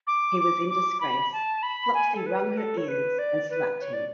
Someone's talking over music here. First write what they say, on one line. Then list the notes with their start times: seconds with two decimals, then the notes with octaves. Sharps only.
He was in disgrace; Flopsy wrung her ears, and slapped him.
0.07 D6
0.39 D6
0.69 D6
1.00 B5
1.32 A5
1.63 B5
1.94 G#5
2.15 A4
2.26 B4
2.57 A4
2.77 C#5
2.88 B4
3.18 D5
3.50 B4
3.81 C#5
3.93 D5